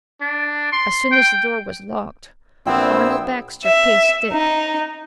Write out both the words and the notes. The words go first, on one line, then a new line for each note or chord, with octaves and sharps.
As soon as the door was locked Arnold Baxter faced Dick.
D4
C6
G5
A#1 B3 C4 D4 E4 G5 E6
E5
D#4